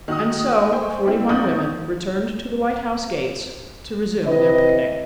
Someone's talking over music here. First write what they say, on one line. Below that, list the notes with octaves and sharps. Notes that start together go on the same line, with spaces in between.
And so the forty-one women returned to the White House gates to resume' their picketing.
D#3 F#4 D#5 D#6
C5 G5 G#5 C#6
G3 G#3 C4 E4
A#1 D#6 G6 F#7
C3 E4 B4 D#5